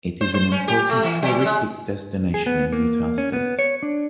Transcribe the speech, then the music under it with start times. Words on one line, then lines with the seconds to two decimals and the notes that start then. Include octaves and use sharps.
It is an important touristic destination in Utah State.
0.21 C5
0.34 C5
0.52 C#4
0.68 G4
0.89 A3
1.03 E3
1.23 F#3
1.45 G#3
2.34 G#4
2.46 B3
2.73 A#3
3.18 C#4
3.33 B3
3.59 C#5
3.83 D4